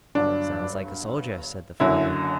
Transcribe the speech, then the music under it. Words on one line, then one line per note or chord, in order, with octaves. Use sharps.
"Sounds like a soldier," said the father.
G1 G2 F#3 D4
F#1 F#2 D3 F#3 E4